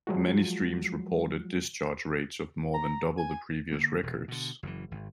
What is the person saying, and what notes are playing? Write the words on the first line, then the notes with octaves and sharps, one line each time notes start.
Many streams reported discharge rates of more than double the previous records.
F3 F#3 G#3 F4 F#4
A#5
G#5
D3 A#3
E1 B2
B2 D3
F#1 F#2 A2 E3
G#1